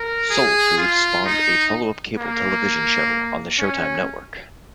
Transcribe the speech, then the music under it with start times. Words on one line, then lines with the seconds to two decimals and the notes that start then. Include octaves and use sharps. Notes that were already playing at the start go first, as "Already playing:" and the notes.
"Soul Food" spawned a follow-up cable television show on the Showtime network.
Already playing: A#4
0.31 G#4
0.78 F4
1.25 D#4
2.18 A#3
3.59 C#4